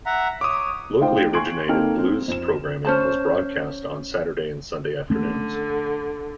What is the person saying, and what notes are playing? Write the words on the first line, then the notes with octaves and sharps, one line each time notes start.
Locally originated blues programming was broadcast on Saturday and Sunday afternoons.
E5 F#5 A#5
C#5 D6 D#6
A3 D#4 F4 C5 G5
G#5 C6 C#6 G#6 D7 F#7
A#3 C4 D#4 A4 G5 F6
C4
F2 E7
C#4 C5 A5
D3 A3 C#4